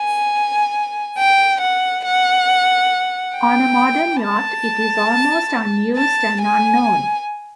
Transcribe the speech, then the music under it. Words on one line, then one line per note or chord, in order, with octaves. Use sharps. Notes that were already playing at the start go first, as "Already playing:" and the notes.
On a modern yacht, it is almost unused and unknown.
Already playing: G#5
G5
F#5
F#5
G5
A5
A5
G#5